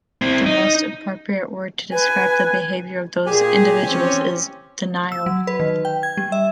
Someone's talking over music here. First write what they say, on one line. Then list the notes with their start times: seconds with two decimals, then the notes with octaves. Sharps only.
The most appropriate word to describe the behavior of those individuals is 'denial'.
0.22 C4 E4
0.46 D#4
1.93 B4 G#5
3.26 A#2 G4 G#4 G#5
3.85 E3 C4 C#4
5.12 E6
5.26 F#3
5.47 B4
5.60 D#3
5.85 G5
6.03 G#6
6.17 G3
6.32 E5